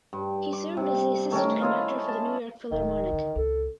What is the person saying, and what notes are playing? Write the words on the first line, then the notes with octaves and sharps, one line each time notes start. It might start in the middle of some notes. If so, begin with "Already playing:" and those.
He served as the Assistant Conductor for the New York Philharmonic.
G2
D6
C3
D#3 A3 C#4 A#4
E4 F4 D#5 F5
A5
D1 D#3
D3
C#2 A4